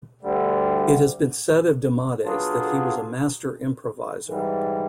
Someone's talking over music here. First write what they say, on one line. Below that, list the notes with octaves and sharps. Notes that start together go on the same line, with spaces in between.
It has been said of Demades that he was a master improviser.
D2 D3 G3
F#3 B3 D4 F4 G#4
G#2 E3 G3